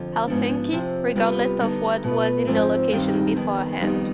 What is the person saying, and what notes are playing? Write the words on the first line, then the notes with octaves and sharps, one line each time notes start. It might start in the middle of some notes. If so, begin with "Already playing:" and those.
Helsinki, regardless of what was in the location beforehand.
Already playing: F2 D3 F3
G#2 F3 B3 D4
C3 F3 C4
C3 G3 B3 F4 B4
D3 G3 B3 D#4
B2 B3 F4 B4
G#2 F3 C4
G2 D#3 G3 C4 D#4
F2 D#3 B3
F2 D#3 G3 B3 D#4